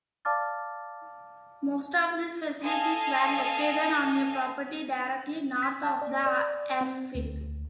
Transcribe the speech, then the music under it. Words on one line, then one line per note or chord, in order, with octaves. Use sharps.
Most of these facilities were located on a property directly north of the airfield.
D5 F5 A5 D6 F6 A6
A4 D#5 F5 G#5 D#6
B6
A5
D5
D5
C4
D2